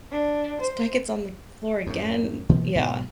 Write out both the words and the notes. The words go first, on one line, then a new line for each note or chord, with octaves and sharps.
"This blanket's on the floor again?" Yeah.
D4
C5
F#2 A2
B2 E3 F3 A#3
G#2 B2